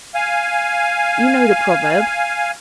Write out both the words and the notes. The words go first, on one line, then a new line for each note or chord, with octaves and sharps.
'You know the proverb.'
F5 G#5